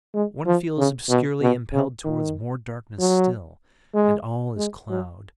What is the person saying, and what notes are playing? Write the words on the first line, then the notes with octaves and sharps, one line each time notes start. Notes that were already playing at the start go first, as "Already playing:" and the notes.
One feels obscurely impelled towards more darkness still, and all is cloud.
G#3
F3
C#3
B2
B2
C#3
D#3
F#3
G#3
G#3
F#3